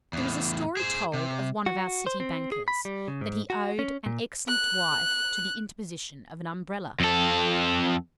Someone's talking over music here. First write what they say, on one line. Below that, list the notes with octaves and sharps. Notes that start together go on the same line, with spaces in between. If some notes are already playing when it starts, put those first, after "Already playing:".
There is a story told of one of our City bankers, that he owed an excellent wife to the interposition of an Umbrella.
E2 A2
G#4 C5
C3
F#4
C5
C4
G#4
B5
G3
C#3
G#2
F#4
C#4
A#2
F#6
F2 A4